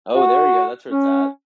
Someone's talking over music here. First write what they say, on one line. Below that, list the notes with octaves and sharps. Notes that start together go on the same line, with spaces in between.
Oh, there you go, that's where it's at.
F#4
C#4